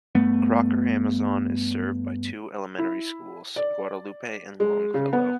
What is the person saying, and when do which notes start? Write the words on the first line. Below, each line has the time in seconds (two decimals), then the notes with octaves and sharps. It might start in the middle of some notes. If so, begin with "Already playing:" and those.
Crocker-Amazon is served by two elementary schools, Guadalupe and Longfellow.
0.15 G2 A3 B3
2.79 E4
3.56 D5
4.60 G#3
4.94 C#3
5.13 B3